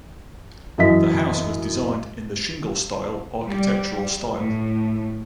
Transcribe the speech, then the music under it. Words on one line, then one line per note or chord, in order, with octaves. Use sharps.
The house was designed in the Shingle style architectural style.
F#2 E3 D#5 E5 B6
G3
A2